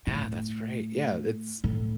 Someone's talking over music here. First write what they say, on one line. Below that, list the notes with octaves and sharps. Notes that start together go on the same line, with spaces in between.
Yeah, that's right, yeah, it's
A2
A2